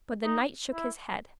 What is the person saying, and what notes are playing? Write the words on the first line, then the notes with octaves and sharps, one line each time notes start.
But the knight shook his head.
D#4
E4